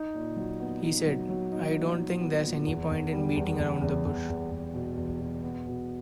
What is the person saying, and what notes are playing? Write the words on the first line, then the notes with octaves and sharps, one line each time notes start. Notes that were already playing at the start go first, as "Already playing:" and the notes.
He said: I don't think there's any point in beating around the bush.
Already playing: D#4
A#2
F#3
B3
D#4
F#3
F#3
D#4
A#2
D#4
B3
A#2
E2
E2
G3
E2
E2
E2
E2
E2
E2
B2
E2
B2
B3
B2